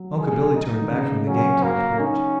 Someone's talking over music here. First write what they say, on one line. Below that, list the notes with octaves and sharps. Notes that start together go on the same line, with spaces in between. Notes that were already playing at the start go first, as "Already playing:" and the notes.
Uncle Billy turned back from the gate to the porch.
Already playing: F#3
G#4
D#4
D#3
C#3
F#3 C#4
F#3
A#3 F#4
C#4 D#4